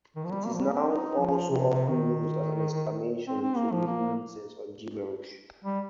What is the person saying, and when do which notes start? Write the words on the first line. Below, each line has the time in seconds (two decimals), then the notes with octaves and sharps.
It is now also often used as an exclamation to mean nonsense or gibberish.
0.16 D#3
0.24 F3
0.31 G3
0.46 A#3
0.54 F3
0.61 G3
0.70 A#3
0.76 C4
0.91 D#4
1.20 F3
1.50 C3
1.70 C3
1.89 D#3
3.28 C4
3.42 C4
3.57 A#3
3.72 F3
3.87 A#3
5.64 G3